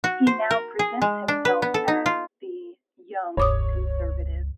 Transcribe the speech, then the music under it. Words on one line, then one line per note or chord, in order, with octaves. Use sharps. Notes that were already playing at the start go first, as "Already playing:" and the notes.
He now presents himself as the "young conservative".
F#4
C5
A#4
G#4
G#3
D4
B4
B3
A4
D#4
F4
E1 C#2 G2 C#5 D6 D#6